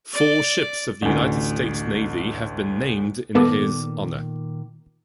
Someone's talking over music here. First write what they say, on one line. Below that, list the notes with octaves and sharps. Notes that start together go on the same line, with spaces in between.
Four ships of the United States Navy have been named in his honor.
D5
A1 D2
A#2 D#3 A#3 B3 A4 D5